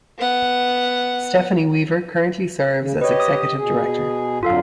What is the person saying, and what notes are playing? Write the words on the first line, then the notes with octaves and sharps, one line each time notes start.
Stefanie Weaver currently serves as executive director.
B3 F#5
C#3
G4 B4 C#5 D#5
D#6
B2 G#4
F2 D3 F#3 F4 A4 F5